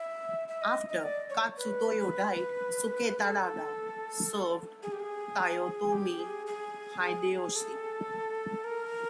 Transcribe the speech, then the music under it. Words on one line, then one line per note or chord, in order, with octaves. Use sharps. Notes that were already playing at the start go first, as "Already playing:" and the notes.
After Katsutoyo died, Suketada served Toyotomi Hideyoshi.
Already playing: E5
E5
D#5
D#5
D5
C#5
B4
A4
G#4
G4
G#4
G4
G#4
G#4
A4
A#4